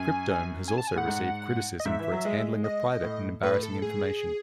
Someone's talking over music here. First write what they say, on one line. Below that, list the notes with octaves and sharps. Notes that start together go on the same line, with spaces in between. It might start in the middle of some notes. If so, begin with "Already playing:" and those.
Cryptome has also received criticism for its handling of private and embarrassing information.
Already playing: F#2 G#5
G#5
A5
G#5
A2 F#5
G#2
D#5
G#2 E5
E3
F#3
G#3
D#5
A2
A2 B4
A4
G#4